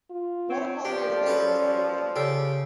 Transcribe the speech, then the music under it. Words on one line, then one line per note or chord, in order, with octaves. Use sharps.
Water quality of the basin is very good.
F4
C4 C#5
F3 D4 G4 D5
C#4 G4 A4 B4
C#3 G4 A4